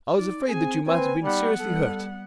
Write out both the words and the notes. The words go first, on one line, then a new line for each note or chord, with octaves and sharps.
I was afraid that you might have been seriously hurt.
D#4 D5
C4 G#4 G#5
A#3 C4 B4 G#5
G3 B3 D#4 F#5
G3 A4